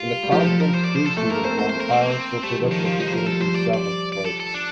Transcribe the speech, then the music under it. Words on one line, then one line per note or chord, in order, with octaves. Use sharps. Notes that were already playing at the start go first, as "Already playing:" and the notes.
In the conference preseason poll the Pirates were predicted to finish in seventh place.
Already playing: G3 F4
G3
F3 G4
A#4
A4
A#4
C5
D5
C5
A4
A3 A4
A#3 A#4
C4 C5
A3 C5
C5
A#4
C4
A#3
C4
G3 A3
D#3
F3
D#3
F3 G3
F3 D#4
C5
F3 A#4
G3 A4
F3 C5
G3 D5
D5
D5
A4
A4
D4